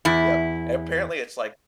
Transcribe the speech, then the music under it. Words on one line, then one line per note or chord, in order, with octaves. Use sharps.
Yep. And apparently, it's like
E2 E4